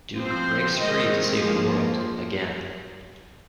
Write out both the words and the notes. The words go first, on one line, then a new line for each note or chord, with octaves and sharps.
Duke breaks free to save the world, again.
F3 C4 C5
D#3 G#3 C4 D#5
F3 A#3 G#4